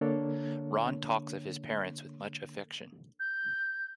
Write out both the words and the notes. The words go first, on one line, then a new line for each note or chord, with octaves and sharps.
Ron talks of his parents with much affection.
D3 A#3 D4 A4 A#4 C#5
G6